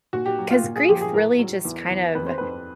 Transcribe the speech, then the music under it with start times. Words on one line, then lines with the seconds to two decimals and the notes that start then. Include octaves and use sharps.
'cause grief really just kind of
0.13 A#2 F#4
0.26 G4
0.39 F#3
0.51 F4
0.64 A#2
0.76 G#4
0.89 F3 G4
1.01 G#4
1.13 A2 A#4
1.39 F#3
1.65 E2
1.90 E2
2.15 F2 B4
2.26 C5
2.38 F2 B4